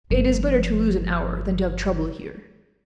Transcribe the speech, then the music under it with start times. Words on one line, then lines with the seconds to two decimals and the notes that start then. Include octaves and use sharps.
"It is better to lose an hour, than to have trouble here."
0.10 G1 F3